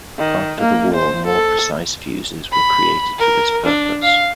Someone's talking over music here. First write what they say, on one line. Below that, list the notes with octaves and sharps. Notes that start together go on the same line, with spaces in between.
After the war more precise fuses were created for this purpose.
D#3
A#3
C5
A4
B5
A#4
D4
F5